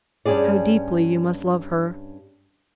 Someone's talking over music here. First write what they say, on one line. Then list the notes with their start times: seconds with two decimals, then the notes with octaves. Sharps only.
How deeply you must love her.
0.25 G2 G3 C#4 F4 G#4 D5